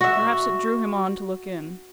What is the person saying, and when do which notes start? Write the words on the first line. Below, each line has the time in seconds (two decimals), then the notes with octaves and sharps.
Perhaps it drew him on to look in.
0.01 F#4 E5